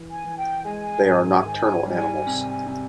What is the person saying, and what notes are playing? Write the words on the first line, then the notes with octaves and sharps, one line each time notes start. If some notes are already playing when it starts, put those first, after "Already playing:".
They are nocturnal animals.
Already playing: E3
G#5
E3
G5
G#3 G#5
G#2 G#5
D#3
G3
C3
C3